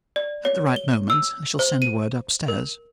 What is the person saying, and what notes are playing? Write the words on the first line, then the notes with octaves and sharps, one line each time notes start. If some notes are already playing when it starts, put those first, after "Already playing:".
At the right moment, I shall send word upstairs.
D5
C#5
G7
E6
C5
D#7
A#4